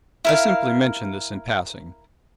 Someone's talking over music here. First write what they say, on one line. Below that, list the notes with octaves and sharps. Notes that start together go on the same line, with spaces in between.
I simply mention this in passing.
E4 A#4 F5